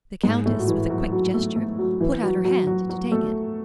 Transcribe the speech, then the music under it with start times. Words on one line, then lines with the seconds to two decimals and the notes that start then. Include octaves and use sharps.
The Countess, with a quick gesture, put out her hand to take it.
0.23 G#2 G#3
0.46 A2 A3
0.59 F#4
0.68 E3 E4
0.90 F#3 F#4
1.12 F#3 F#4
1.34 A3 A4
1.56 A3 A4
1.78 F#3 F#4
2.01 E3 E4
2.22 F#3 F#4
2.45 F#3 F#4
2.67 F#3 F#4
2.89 F#3 F#4
3.12 A3 A4